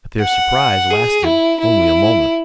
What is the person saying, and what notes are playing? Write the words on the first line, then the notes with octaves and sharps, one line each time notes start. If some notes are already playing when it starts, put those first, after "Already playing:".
But their surprise lasted only a moment.
F#5
G#4
E4
E4